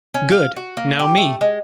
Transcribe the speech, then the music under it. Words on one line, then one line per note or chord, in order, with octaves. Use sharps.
Good. Now me.
C#4
F5
F#4
A#3
G4
A3
G#3